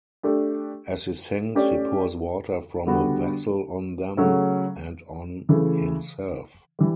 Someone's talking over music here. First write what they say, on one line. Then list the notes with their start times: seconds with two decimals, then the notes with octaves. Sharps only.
As he sings he pours water from a vessel on them and on himself.
0.23 A3 D4 G4
1.55 A3 C#4 G4 D5
2.86 D3 G3 B3 F#4
4.17 C#3 F#3 A3 C#4
5.49 C#3 E3 A3
6.79 E3 G3